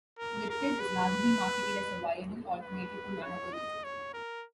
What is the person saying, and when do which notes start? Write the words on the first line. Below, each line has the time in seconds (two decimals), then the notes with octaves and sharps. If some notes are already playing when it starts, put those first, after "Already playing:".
Lyptus is largely marketed as a viable alternative to mahogany.
0.18 A#4
0.49 A#4
0.80 B4
2.61 B4
3.23 C#5
3.53 D#5
3.84 C#5
4.14 A#4